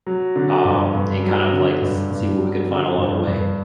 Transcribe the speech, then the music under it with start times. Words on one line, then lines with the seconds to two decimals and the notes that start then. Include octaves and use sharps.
um, and kind of like s see what we can find along the way,
0.07 F#3
0.36 D3
0.65 G2
0.94 G2
1.23 F#3
1.52 D3
1.82 G2
2.11 G2
2.40 F#3
2.69 D3
2.98 G2
3.27 G2